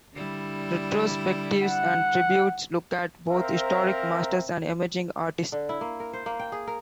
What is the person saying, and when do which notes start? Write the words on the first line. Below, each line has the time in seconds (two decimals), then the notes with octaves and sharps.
Retrospectives and tributes look at both historic masters, and emerging artists.
0.13 D3 G3 E4
1.62 F#5
3.30 C4 A#4 C5 E5 F5 A#5
5.52 D3
5.69 E4
5.81 A#3
6.00 A#4
6.13 C5
6.26 A#3
6.39 G5
6.52 G#4
6.67 A#4